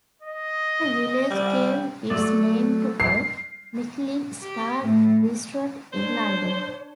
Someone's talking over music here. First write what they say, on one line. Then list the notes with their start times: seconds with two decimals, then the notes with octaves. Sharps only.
The village gave its name to a Michelin-starred restaurant in London.
0.22 D#5
1.31 G3
2.10 F#3 A3 D5
3.00 C7
4.40 G4
4.81 A2
5.93 D4 C5 C#5